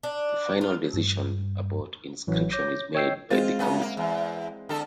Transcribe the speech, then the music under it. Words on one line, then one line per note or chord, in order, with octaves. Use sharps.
The final decision about inscription is made by the committee.
D4
F4
G2
A1 E3 F#3
C#5 D6 G6 A#6
C#5 D#5 G5 E6 G6 C7
G#3 C4 F4 A6
F#2 B3
A#3
E2
D3 A4